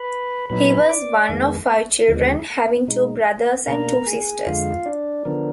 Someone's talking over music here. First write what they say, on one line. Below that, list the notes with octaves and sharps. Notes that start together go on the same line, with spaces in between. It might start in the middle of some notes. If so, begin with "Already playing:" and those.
He was one of five children, having two brothers and two sisters.
Already playing: B4 B5
A#2 F#3 B3 D#4 B4 B5
D5 D6
F2 D#3 G#3 B3
D#2 D3 F3 G#3
B2 G#3 D#4
B2 A#3 D4 A#4 A#5
G#4 G#5
F2 D3 G#3 F4 F5
D4 D5
D3 F3 B3 D4 A#4